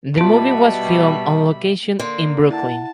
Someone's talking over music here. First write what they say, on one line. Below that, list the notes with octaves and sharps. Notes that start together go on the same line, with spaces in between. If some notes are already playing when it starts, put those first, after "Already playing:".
The movie was filmed on location in Brooklyn.
B2 G3 F4 E5 A5 B5 D7
D3 A#3 C6
E4 F#5 A5